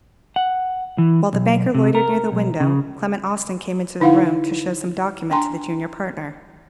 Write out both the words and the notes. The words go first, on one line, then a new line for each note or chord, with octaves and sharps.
While the banker loitered near the window, Clement Austin came into the room, to show some document to the junior partner.
F#5
E3
B1
C3
A#4
B1
C#3
D3 D#4 E4 F5 F#5
D4 G5 G#5 A#5 C6